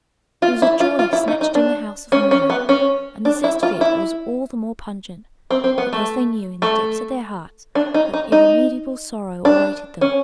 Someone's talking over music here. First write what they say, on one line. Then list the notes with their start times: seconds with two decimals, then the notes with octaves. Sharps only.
It was a joy snatched in the house of mourning, and the zest of it was all the more pungent, because they knew in the depths of their hearts what irremediable sorrow awaited them.
0.42 F4
0.62 E4
0.80 F4
0.99 F4
1.13 E4
1.28 D#4
1.41 D#4
1.55 D4
2.12 C#4
2.31 C#4
2.50 B3
2.69 C#4
3.25 D4
3.44 E4
3.63 F4
3.81 E4
5.51 C4
5.64 C4
5.78 B3
5.93 A3
6.62 A3
7.75 D4
7.94 D#4
8.13 D#4
8.32 D#4
9.45 D4
10.01 C#4